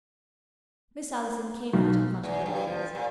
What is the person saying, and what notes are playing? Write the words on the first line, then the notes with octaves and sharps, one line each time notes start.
Miss Allison came out in front of her audience.
B1
E2
G2
F3
A#2